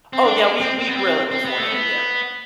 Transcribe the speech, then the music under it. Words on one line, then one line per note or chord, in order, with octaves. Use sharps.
Oh, yeah, we we grill it beforehand, yeah.
C4
D4
C4
C4
B3
C4
C4
B3
A3
B3